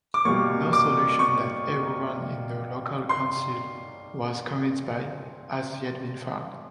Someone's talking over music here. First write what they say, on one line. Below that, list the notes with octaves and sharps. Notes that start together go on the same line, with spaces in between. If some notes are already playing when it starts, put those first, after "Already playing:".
No solution that everyone in the local council was convinced by has yet been found.
D6
B2 G3 A#3 C#6
D6
C#6
C6